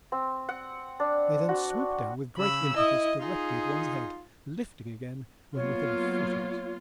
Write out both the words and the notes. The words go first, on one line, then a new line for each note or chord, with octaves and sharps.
They then swoop down with great impetus directly at one's head, lifting again when within a foot of it.
C4
F#5
D4
F#4
C#3 B5 E6
E4 D#5
D#4 F4 G#4
F#3 A#3 B3 F4 C#5